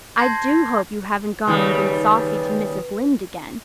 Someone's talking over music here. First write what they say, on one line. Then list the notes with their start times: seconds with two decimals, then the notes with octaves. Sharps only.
"I do hope you haven't gone and been saucy to Mrs. Lynde again."
0.17 A5 C6 G6 G#6 A#6 C7
1.47 D#2 C#3 G3 B4